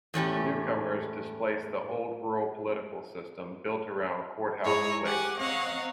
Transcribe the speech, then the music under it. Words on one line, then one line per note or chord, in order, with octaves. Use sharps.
The newcomers displaced the old rural political system built around courthouse cliques.
E2 A2 C#4 G4
G#2 E4 G#4 C#5 A#5
G4 F#5 G#5 D6
C4 C#5 D#5 F5 F#5 A#5